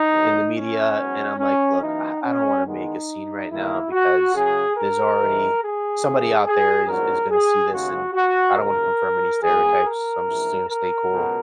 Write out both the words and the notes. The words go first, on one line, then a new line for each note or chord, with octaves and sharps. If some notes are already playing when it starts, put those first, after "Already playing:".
in the media, and I'm like, "Look, I I don't wanna make a scene right now because there's already somebody out there is is gonna see this and I don't wanna confirm any stereotypes, so I'm just gonna stay cool."
Already playing: D#4
E2 D#3 F#3
C#4
G#2 F#3 B3
C#4
F#2 E3 A#3 D#4
C#4
E2 D#3 G#3 B3 D#4
E2 D#3 A#3 E4
F#4
F#2 C#3 F#3 G#4
A#4
G#2 E3 G#3
G#4
D#2 C#3 E3
G#4
A#1 G#2 F#3 B3 A#4
G#4
D#2 C#3 G#3 B3 F#4
F#4
D#2 C#3 F#3 A#4
G#2 E3 B3 G#4
A#4
A#1 G#2 E3
A#4
C#2 B2 F#3 B3